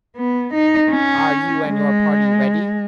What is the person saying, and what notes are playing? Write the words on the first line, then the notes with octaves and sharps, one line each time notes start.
"Are you and your party ready?"
B3
D#4
C#4
G#3